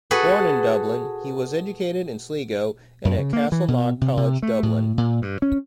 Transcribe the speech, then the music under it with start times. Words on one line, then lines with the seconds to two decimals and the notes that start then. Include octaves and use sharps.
Born in Dublin, he was educated in Sligo and at Castleknock College, Dublin.
0.11 F#4 G#4 A4 B4
3.05 F#2
3.18 C#3
3.33 A#3
3.52 E3
3.68 B2
4.01 C3
4.17 C3
4.43 A3
4.63 A2
4.98 A#2
5.22 G2
5.42 C#4